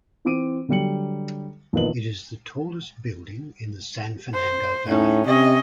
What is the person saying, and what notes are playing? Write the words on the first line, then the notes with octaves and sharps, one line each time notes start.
It is the tallest building in the San Fernando Valley.
E3 C4 D6 D7 D#7
D3 F#3 G3 G5 C#7 F#7
A#1 E2 D#3 B4 D#5 F#7
C5
A2 C#4 D#4
C3 C#4 D#5